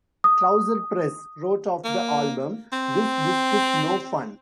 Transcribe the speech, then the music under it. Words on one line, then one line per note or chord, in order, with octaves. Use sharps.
"Trouser Press" wrote of the album: "This disc is no fun".
D#6
A#3
C4